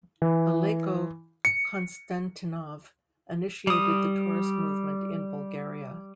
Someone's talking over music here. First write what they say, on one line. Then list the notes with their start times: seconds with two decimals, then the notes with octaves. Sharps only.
Aleko Konstantinov initiated the tourist movement in Bulgaria.
0.22 E3
1.45 C#7
3.67 G3 D#6